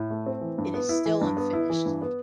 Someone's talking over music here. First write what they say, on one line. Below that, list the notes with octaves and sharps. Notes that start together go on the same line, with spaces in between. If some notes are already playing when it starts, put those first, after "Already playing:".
It is still unfinished.
Already playing: A2
A3
C4
E3
G2
B3
E4
E3
G2
B3
E4
E3
G2
B3